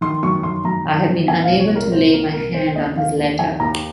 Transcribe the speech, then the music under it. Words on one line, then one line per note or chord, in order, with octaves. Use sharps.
I have been unable to lay my hand on his letter.
D#3 C6
F#2 C#6
D#3 C6
F#2 A#5
D#3
F#2
A#2 G#5
F5
C2
C#5
A#2
A#4
C2 C5
A#2 A#4
C2 A#4
D#3 C5
D#2 D#5
D#3 F5
D#2
D#3 G#5
D#2 A#5